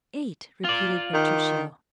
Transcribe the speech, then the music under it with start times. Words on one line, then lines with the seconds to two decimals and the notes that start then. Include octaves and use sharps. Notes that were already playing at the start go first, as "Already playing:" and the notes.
"Eight!" repeated Bertuccio.
0.64 F4 D5
1.14 D#3